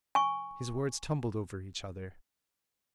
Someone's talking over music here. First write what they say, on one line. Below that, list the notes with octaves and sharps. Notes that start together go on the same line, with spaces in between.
His words tumbled over each other.
G#5 C#6